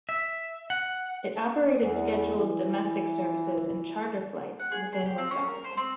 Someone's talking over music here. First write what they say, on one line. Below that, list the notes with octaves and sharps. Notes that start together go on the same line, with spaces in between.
It operated scheduled domestic services and charter flights within West Africa.
E5
F#5
E2
E3
F#5
G#4
G#4
G4
C4
C#4
A#4
C5
C4